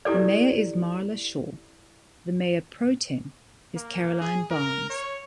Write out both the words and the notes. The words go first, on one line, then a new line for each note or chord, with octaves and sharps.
The mayor is Marla Shaw, the mayor pro tem is Caroline Barnes.
E4 G4 A4 D5
A#3
G#4
A#4
C#5